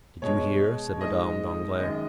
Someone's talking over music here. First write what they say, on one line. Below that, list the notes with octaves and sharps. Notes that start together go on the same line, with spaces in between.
"Did you hear?" said Madame Danglars.
B2 G#3 C#5
G#2 G#3 D#5
F#2 D#3 G#3 D#5